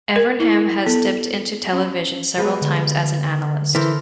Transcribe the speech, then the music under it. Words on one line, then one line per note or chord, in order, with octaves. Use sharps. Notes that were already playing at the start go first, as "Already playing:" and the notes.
Evernham has dipped into television several times as an analyst.
A#4
E4
B3 A4
C#4
G3 G#3 B3
D3
E3 A4 A#4 C5